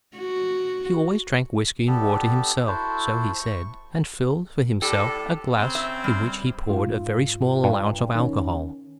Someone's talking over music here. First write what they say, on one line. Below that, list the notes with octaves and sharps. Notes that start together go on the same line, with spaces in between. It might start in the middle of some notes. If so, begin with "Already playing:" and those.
He always drank whiskey-and-water himself,--so he said, and filled for himself a glass in which he poured a very small allowance of alcohol.
F#4
B3 D4 G4 A4
E4 F#4 A4 C5
C#6
A2 D4 G4 A4
C#3 C4
E5
G3
G#2 F4
G2
D#3 C#4